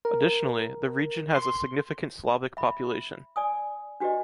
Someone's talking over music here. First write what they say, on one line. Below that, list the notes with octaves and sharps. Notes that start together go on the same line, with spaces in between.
Additionally, the region has a significant Slavic population.
A#4
C6
E5 B5
D5 G#5 D#6
D4 F#4 G4 B4 D5 D#5